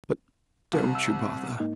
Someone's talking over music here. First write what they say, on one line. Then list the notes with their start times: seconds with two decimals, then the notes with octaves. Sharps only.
But don't you bother.
0.73 C2
0.95 E6
1.60 G#2 A#3 D#4